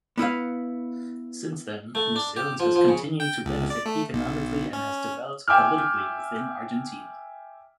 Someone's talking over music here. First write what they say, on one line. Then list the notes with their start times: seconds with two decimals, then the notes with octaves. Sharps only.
Since then, Misiones has continued to benefit economically and has developed politically within Argentina.
0.18 B3 E4 B4 F5
1.95 A3
2.16 D4
2.36 G4
2.60 F3
2.76 F3
2.88 C#3
3.20 G5
3.45 C#2
3.70 D5
3.86 A3
4.13 B1
4.73 C#4
5.48 E5 G5 G#5 D6 E6 F6